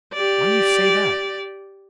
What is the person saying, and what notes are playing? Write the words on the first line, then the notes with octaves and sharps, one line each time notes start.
"Why do you say that?"
G4 D5